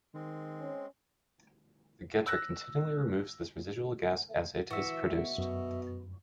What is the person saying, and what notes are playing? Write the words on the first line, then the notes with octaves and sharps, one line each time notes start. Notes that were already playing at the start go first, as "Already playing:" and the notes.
The getter continually removes this residual gas as it is produced.
D#3 G#3 C4
C#4
E6 F#6 A#6
E3 F#4 E5
B2
F#2 B2